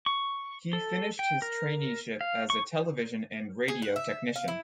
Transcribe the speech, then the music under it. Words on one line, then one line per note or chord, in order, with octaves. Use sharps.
He finished his traineeship as a television and radio technician.
C#6
A4
G5
A#4
F5
C#6
G#4
F#5
E5
F5
E4